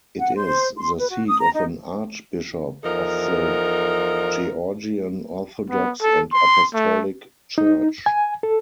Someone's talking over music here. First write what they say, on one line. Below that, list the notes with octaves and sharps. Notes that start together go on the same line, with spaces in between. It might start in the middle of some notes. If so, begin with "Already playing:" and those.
It is the seat of an archbishop of the Georgian Orthodox and Apostolic Church.
F#5
C5
C6
B4
F#4
D#6
A#5
D#4
E2 F3 D#4 A4 A#4
B3
A4
C6
A3
D#4
G#5
A4